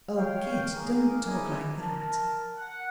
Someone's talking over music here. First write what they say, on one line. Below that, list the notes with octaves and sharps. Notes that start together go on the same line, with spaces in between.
'Oh, Kit, don't talk like that.'
C#5 F5 G5
A#3 D#4 G#4 A#4
C#4 D#4 E4 G#4 D5 G#5
A#4 A5
F#5